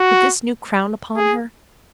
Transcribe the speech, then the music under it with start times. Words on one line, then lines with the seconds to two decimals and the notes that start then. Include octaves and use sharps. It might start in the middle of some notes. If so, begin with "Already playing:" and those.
With this new crown upon her!
Already playing: F#4
1.16 G#4